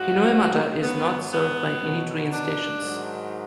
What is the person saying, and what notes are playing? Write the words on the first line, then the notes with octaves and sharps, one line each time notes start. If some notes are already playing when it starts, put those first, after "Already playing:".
Hinoemata is not served by any train stations.
Already playing: G#2 F3 F#4
G#2 F#3 B3
B3
B2 F#3
D4
G#2 D#3 F#3